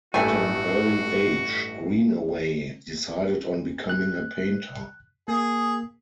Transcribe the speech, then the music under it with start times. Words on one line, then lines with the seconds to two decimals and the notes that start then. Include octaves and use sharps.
At an early age Greenaway decided on becoming a painter.
0.14 A1 G2 A3 F#4 G#5
3.89 F#6
5.28 A#3 G#4